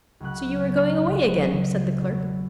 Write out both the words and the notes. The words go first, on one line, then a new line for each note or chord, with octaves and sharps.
"So you are going away again!" said the clerk.
C#2 C#3 F#3 C#4 F#6
C#2 C#3 F#3 C#4 F#6
E2 B2 F#3 A3 E6